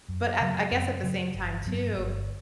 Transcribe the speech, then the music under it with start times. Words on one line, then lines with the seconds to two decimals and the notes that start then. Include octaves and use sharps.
but I I guess at the same time too,
0.08 F#2
0.40 C#3 F#3
0.71 F#2
1.03 C#3 F#3
1.34 G1
1.65 G2 F#3 B3
1.96 G1